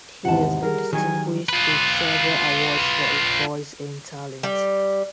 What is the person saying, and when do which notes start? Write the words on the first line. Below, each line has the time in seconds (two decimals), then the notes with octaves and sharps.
He has been distinguished with several awards for his voice and talent.
0.25 G#1 E2 C3 F#5 A5
0.62 G3 G#4 A#4
0.93 D#3 F#3 D#4 G#5
1.49 F4 B4
4.43 G3